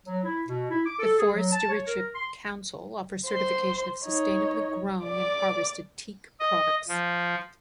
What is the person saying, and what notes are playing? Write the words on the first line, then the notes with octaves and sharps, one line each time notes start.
The Forest Stewardship Council offers certification of sustainably grown and harvested teak products.
F#3
E4
B2
E4
D6
A4
G#4
F#3
A5
C#5
A#4
C6
C5 C6
D#4 C#5
D5 D6
D#5
F3